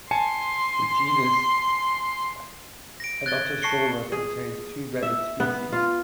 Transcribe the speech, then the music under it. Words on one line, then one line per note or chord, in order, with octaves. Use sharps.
The genus "Anotosaura" contains two valid species.
G#5 A5 C6 C#7
A#6 D7
F#6 G#6 A6 G7
A5 C#6 A#6 C7 C#7 G7
G#4
E5
B3
F4